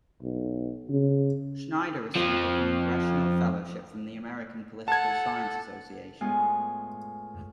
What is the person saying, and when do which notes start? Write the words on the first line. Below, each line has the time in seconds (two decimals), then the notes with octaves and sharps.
Schneider received a Congressional Fellowship from the American Political Science Association.
0.22 B1
0.89 C#3
2.16 F2 F3
4.88 A4 F#5 A5 G#6
6.21 A2 G#3 B3 F4 G#5